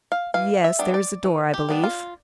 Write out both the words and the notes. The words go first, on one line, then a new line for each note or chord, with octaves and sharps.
"Yes, there is a door, I believe."
F5
E3 F5
E5
G3 B3 D4
D5
E3
G4
G3 B3 D4
F4